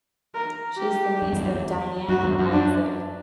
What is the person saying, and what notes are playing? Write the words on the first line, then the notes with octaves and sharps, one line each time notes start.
She is the niece of Diana Isaac.
A#4
G4
F#2
E2 G2
F#2
E2
F#2 F#4
E2 G2
F#2
D4